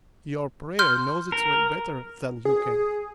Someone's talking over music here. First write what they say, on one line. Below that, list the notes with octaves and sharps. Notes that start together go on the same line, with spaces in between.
Your prayer knows its way better than you can.
C6 F6 G6
A#4
G#4